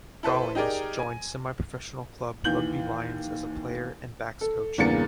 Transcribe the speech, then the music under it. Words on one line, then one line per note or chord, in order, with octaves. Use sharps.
Gollings joined semi-professional club Rugby Lions as a player and backs coach.
E4 A4 B4 C5
D#4 G4 G#4 A#4 D5
G#5
D#2 E3 G6 F#7
A4
E2 G2 C#3 A#3 A6 C#7